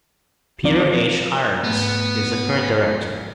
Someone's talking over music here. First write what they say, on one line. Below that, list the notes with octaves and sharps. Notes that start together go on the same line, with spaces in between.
Peter H. Irons is the current director.
F3 C4 F4 A#4 D5
G#2 A3 B3 F#6